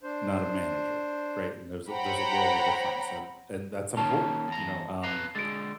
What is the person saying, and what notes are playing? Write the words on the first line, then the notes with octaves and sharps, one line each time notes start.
not a manager, right, and there's a there's a world of difference and and that's important, you know, um,
D4 C5
C5 C#5 F#5 G5 A#5 B5
D#3 A#3 C#4 A5
E2 A#5
B4 F5 A#5
D3 G#3 A6 D7